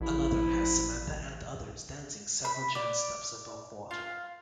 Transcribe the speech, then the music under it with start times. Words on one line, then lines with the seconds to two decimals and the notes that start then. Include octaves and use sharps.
Another has Samantha and others dancing several giant steps above water.
0.01 A1 F3 E4
2.45 B5
2.75 D5
3.91 F4